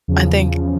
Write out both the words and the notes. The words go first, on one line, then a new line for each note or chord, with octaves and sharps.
I think
E2 C#3 F3